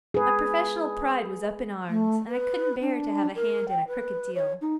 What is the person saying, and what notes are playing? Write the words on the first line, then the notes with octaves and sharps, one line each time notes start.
My professional pride was up in arms, and I couldn't bear to have a hand in a crooked deal.
G#4 B4
A3
B4
D4
A#4
G5
B4
C#5
D#4